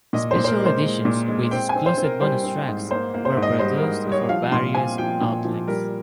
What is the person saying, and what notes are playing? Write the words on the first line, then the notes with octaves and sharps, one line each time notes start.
Special editions with exclusive bonus tracks were produced for various outlets.
A#2 D#5
C5
A#2
C5
A#4
G#3
C5
G#3
A#2
G#3
C4 G5
G#5
C4
C5
C4
A#4
G3 C5
C4
G#2
A#3 C5
A#3
C5
G#2
D#5
G3 C5
A#4
G#2
G3
C#5
F3 F5
A#2 C6
C4 G#5
F3 G5
A#2
F3
G3 A#4